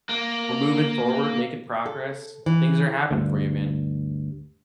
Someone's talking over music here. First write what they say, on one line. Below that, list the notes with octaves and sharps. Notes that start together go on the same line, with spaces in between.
we're moving forward, making progress. Things are happening for you, man.
A#3
A4
E3
D2 G2